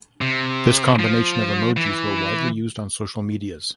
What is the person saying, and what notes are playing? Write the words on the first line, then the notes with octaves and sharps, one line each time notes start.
This combination of emojis were widely used on social medias.
C3
F3
E3